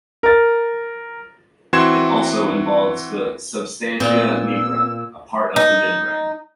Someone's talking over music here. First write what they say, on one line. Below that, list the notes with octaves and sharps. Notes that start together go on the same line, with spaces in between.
It also involves the substantia nigra, a part of the midbrain.
A#4 A6
E3 C4 F#4 C6 G#6 E7
A#2 B3 C4 B4 E6
D#4